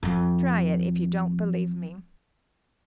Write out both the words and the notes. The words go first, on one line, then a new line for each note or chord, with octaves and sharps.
Try it, if you don't believe me.
F2 F3